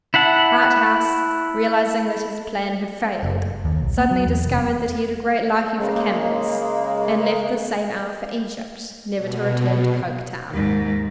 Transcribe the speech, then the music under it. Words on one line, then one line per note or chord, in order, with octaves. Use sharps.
Harthouse, realizing that his plan had failed, suddenly discovered that he had a great liking for camels, and left the same hour for Egypt, never to return to Coketown.
E4 E5 F#5 A5
F#1
D#2
B1
A#3
F#3
E2
F1
B3
C#3 G#3 A#3
B2
D#2 G#2